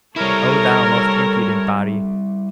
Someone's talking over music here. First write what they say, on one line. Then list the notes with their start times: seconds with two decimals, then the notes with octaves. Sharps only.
O thou most impudent body!
0.16 G3 E4 A4 A#4 C#5